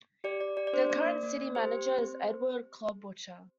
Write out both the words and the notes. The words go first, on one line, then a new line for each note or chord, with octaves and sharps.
The current city manager is Edward Klobucher.
G4 D5
G4 D5
G4 D5
D5
D4 C5
A#3 D5
A#3
A#3
A#3
G4 C5
G4
C4